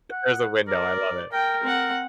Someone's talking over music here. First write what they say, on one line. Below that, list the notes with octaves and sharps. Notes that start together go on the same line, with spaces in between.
There's a window, I love it.
F#5
A#4 D5
A#4 G5
C4 F#5